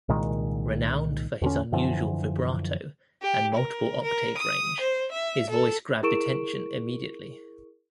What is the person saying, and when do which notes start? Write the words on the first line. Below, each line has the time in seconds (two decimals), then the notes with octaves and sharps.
Renowned for his unusual vibrato and multiple octave range, his voice grabbed attention immediately.
0.09 C2 A#2 D#3 G#3
1.42 E2 D3 C#4
1.72 F#2 D3 E3 F3
3.22 G4
3.55 A#4
4.03 A#4
4.36 D#6
4.79 C5
5.12 E5
5.49 A4
6.03 E4 G#4 A#4 C#6 D7 E7